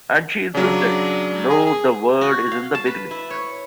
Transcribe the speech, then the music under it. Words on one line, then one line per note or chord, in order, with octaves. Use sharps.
And she insisted, no the word is in the beginning.
C#3 F#3 D4
G#4
G#4
F#4
F5
A5
B4
E4
C#5